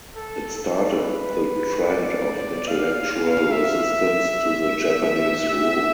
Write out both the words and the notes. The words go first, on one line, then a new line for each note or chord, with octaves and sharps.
It started the trend of intellectual resistance to the Japanese rule.
A4
A4
B4
D5
F5
E5